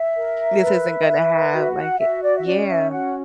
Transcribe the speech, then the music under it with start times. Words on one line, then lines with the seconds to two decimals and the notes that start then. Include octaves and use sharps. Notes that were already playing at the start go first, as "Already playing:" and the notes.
this isn't gonna have like a yeah.
Already playing: E5
0.16 A#4
0.62 B4
1.07 B4
1.53 F#4
1.76 F#5
1.99 F#4 E5
2.22 D5
2.37 E5
2.45 C#4 D5
2.68 E5
2.91 F#4 F#5